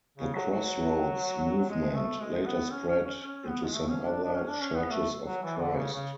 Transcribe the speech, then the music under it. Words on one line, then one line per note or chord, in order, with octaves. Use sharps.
The Crossroads Movement later spread into some other Churches of Christ.
C#3
F#3
F#3
G#3
A3
G#3
B3
C#4
C#4
C#4
C#4
B3
G#3
A3
C#4
D4
D4
C#4
D4
C#4
B3
A3
F#3
E3
D3
C#3
C#3